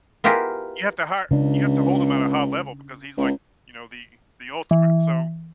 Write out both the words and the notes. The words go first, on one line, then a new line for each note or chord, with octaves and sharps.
you have to hire you have to hold him at a high level, because he's, like, you know, the the ultimate, so
B3 E4 F4 G4 G#4 A#4
C#2 C#3 D4
C#2
E3